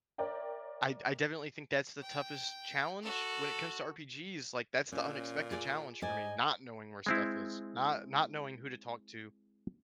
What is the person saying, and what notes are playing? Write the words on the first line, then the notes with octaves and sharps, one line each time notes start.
I I definitely think that's the toughest challenge when it comes to RPGs, like, that's the unexpected challenge for me, not knowing where stuff is, not not knowing who to talk to,
A#4 C#5 D5 E5 G5
G5
F#4 A4
A#2 C#4
F4 G#4 D5
G#2 C5 D5 D#5 G#5
G#3 C4 E4